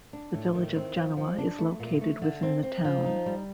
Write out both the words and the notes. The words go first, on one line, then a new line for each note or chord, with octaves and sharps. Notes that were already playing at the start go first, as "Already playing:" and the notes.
The Village of Genoa is located within the town.
D4
A2
D#3
C4
F3
F3
D4
A3
A#2
A3
D3
C4
C4
F3
D#4
G3